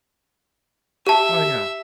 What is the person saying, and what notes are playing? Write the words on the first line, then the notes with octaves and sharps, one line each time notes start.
Oh, yeah.
G4 E5 A5